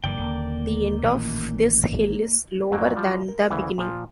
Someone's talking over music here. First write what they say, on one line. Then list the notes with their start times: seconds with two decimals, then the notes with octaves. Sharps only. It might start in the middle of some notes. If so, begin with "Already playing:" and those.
The end of this hill is lower than the beginning.
0.04 F#1 G2 E3 A#3 D5 G5
0.17 D#1 D3
1.03 A1 A#2 D#3
2.71 F2 G#2 F#3 A#3 G5
2.94 F3 G3 F4 F#4 D5
3.28 A#4
3.50 D2 C#3 E3
3.78 A#2 F3